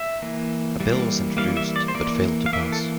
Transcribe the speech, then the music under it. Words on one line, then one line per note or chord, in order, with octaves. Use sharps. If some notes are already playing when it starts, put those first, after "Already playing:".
A bill was introduced, but failed to pass.
Already playing: E5
E3 A#3
E3 G3 A#3
E3 G3 A#3 F5
E5
D5
C5
E3 A#3 D5
F5
E3 A#3 E5
A4